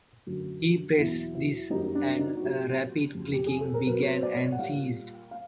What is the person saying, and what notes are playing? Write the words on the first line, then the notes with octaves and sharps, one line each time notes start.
He pressed this and a rapid clicking began and ceased.
F#2 D3 F#3
E2 B2 F#3 E4
E4
F#2 D#3 G3 D#4
D4
D#4
F#4
A#2 F#3 G4
F2 C#3 F#3
G4
G#4
A4
A#4
B2 F#3 B4
C#5
C5
D5
C#5
F#5
A#2 G3 F5
F5